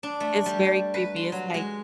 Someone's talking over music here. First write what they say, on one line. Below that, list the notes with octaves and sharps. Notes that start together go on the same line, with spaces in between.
it's very creepy, it's like
D4
A3
G3
B4
C6
F#3
G#3